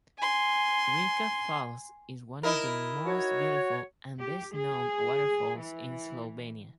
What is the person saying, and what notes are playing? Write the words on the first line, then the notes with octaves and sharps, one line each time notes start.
Rinka Falls is one of the most beautiful and best-known waterfalls in Slovenia.
G#5 C6
D#4 E4 A#4
F#4 C#5
G4
G#4
E3